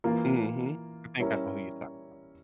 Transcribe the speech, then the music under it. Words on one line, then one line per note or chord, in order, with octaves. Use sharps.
Mhm. I think I know who you're talking about.
E3 A#3 F4 A#4
G3 C#4 E4 A#4